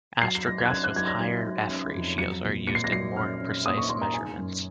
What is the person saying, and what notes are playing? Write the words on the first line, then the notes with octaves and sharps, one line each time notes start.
Astrographs with higher f-ratios are used in more precise measurements.
F#3 C7
C7
F#3 A#6
G#6
F#6
C#4 G#6
F#6
F#3 G#6
A#6
F#3 G#6
F#3
C#4
F2
F#3 C#7
A#2
A#2 C#7
C7
A#6
F#3 C7
C#4 F6
C#4
A#3 D#6
C#6
A#3 C6
A#5
D#4 G#5
F#2